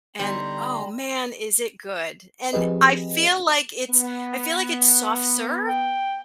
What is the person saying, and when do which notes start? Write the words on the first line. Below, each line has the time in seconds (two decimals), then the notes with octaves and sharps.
And oh, man, is it good? And I feel it's I feel like it's soft serve
0.19 D3 G3 B3 D#4 A#5 C6
2.53 F3 C4 G4 G#4 B4 D#5
3.89 B3
5.68 G5